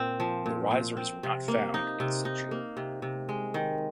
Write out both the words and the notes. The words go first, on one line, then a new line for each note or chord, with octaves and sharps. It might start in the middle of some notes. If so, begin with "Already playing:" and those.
The risers were not found in-situ.
Already playing: A#2 C4
F3
A#2
A#2
C4
C3
A#3
D#4
C3
D#4
A#3
C3
C3
G#3
D#3